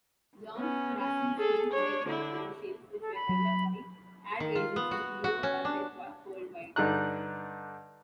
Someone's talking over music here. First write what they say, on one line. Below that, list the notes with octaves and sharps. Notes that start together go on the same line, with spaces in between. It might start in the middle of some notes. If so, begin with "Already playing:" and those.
John Krasinski narrated the commercials, which were developed by ad agency Leo Burnett Worldwide.
B3 C#4
C#4
G#4 A4
D4 C#5
D3 E4
A4
B5
F#3
D#3
F4
B3
F#4
F#4
C#4
D4
G2 D3 D#4 A#5 F#6